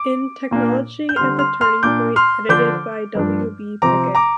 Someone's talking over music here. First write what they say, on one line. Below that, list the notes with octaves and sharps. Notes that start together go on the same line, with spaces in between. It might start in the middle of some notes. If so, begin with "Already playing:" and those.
In "Technology at the Turning Point", edited by W. B. Pickett.
Already playing: D6
A#2 A#3 D4
G6
D3 G3 C4 C6 F6
C6 F6
C6 F6
A#2 A#3 D4 D6 G6
C6 F6
D3 F3 D4 D6 G6
G2 F3 D4
C3 F3 C4 A#5 D6
A#5 D6